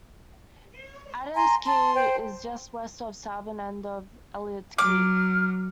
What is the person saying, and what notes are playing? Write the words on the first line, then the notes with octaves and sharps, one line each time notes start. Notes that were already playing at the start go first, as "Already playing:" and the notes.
Adams Key is just west of the southern end of Elliott Key.
G#5 A#5 C6
A5 C6
C5 G5
F#3 D6 F6